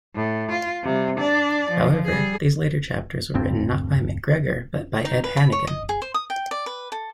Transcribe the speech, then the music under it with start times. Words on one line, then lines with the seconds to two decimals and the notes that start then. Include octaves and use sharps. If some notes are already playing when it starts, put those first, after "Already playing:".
However, these later chapters were written not by McGregor but by Ed Hannigan.
0.16 A2
0.51 F4
0.84 C3 G3
1.17 D4 D5
1.71 F3
2.05 G3 G#4
3.34 E1 D2 G2 C4
5.05 D#4
5.24 B4
5.37 B5
5.52 C#5
5.67 D#5
5.89 G#4
6.02 C5
6.14 D#6
6.30 G5
6.51 D5
6.66 B4
6.92 A4